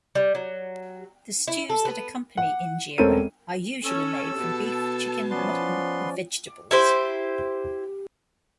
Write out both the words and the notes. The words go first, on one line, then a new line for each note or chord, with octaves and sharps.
The stews that accompany injera are usually made from beef, chicken, mutton or vegetables.
G3
F#3
E4
A4
B3
F#5
E1 C4 C#4 A4 A#4 D#7
C#4 A4 E6
B2 A5
F3 B3 C#4 B4 D5 C6
E4 G4 C5